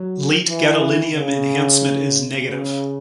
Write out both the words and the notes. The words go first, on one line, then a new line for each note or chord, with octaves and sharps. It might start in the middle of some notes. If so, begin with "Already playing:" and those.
Late gadolinium enhancement is negative.
Already playing: F#3
E3
C#3
C#3